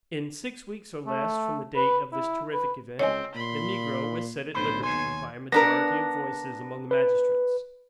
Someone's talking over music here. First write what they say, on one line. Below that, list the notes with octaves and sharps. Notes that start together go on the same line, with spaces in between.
In six weeks or less from the date of this terrific event, the negro was set at liberty by a majority of voices among the magistrates.
A3
B4
E4
B4
C#2 C4 C#5 D#5 G#5
A#2 B5 C6
B1 A2 D3 C5 B5
D#2 C#5 G#5 C6
B3 D4 A#4 A#6
B4